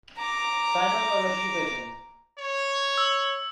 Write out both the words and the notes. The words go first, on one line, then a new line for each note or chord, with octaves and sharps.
Simon was a ship agent.
A#5 D6
C#5
E6